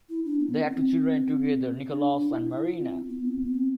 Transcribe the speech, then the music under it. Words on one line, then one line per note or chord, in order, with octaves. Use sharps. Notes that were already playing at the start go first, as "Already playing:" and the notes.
They had two children together: Nicolas and Marina.
E4
D4
B3
C4
C4
D4
D4
E4
E4
F4
C4
B3
C4
B3
C4